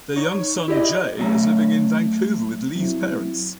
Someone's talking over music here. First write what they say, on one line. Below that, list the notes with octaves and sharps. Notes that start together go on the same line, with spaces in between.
Their young son, Jay, is living in Vancouver with Lee's parents.
D#4 C#5 C#6
E4 G4 D5 D#5
F#3 A3 C#4 F5 A#5
F#3 C4 E4